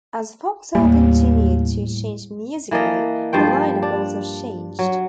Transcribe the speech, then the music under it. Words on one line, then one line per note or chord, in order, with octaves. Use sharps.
As Foxhole continued to change musically, the lineup also changed.
D#2 A2 G3 A#3
E3 A#3 A4 D#5
G2 F3 C5 G5
D4
F#3